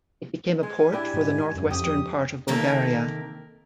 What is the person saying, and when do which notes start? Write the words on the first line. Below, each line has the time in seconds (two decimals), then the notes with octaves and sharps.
It became a port for the northwestern part of Bulgaria.
0.63 G#3 G#5
0.92 D4 E4 G4 G#5
1.14 G#2
1.56 F#2
1.71 F2 G4 D#6
2.48 C3 D#3 A#3 A4 A#4 G5